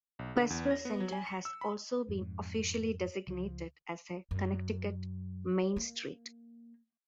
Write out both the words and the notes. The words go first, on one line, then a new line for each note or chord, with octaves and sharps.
Westville Center has also been officially designated as a "Connecticut Main Street".
B1
D3
E2
A#6
B3
F#3
G#5
C#7
E6
B5
F2 G#2
C#2 F3
F#2
A#3